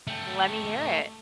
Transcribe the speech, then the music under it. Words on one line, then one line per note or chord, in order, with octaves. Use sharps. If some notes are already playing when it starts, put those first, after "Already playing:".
Let me hear it.
A3 G4